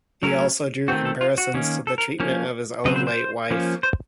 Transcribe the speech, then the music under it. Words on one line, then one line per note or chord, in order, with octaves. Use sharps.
He also drew comparisons to the treatment of his own late wife.
F#3 A3 C#4 A#4
D#3 A3 C4 F#4
A4
F4
F#4
D#3 A#3 C#4
A4
A#4
F3 A#3 C#4
C#3 F#3 C4 D#5
C5
C5
F3 A#3 C#4
C5